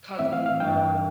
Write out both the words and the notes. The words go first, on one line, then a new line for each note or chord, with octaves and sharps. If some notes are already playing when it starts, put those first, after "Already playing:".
cousins are
A2 E3 A3 C4 E5
F5
F5
G2 E3 G3 D4 G5